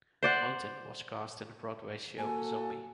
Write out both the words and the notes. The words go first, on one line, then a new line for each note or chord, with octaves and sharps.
Moten was cast in the Broadway show "Zombie".
C5 D5 F#5
A#3 F#4 A4 G#5